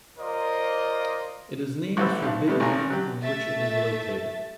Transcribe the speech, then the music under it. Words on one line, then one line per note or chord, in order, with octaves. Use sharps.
It is named for Big Run on which it is located.
F4 A#4 C5 D5 D#5
A1 F#4 B4 C5 E6
B1
C3 G3 A3 B3
G#1 G#5 A#5
F#3 G4
A3 E5 A6